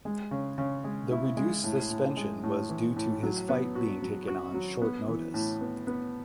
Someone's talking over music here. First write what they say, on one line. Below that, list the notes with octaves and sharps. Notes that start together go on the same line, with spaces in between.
The reduced suspension was due to his fight being taken on short notice.
G#3
C#3
C#3
G#3
E4
G#3
A2
A2
G#3
A2
E3
A2
F#3
B3
F#4
F#3
F#4
F#3
B3
E3
A2
B3
B3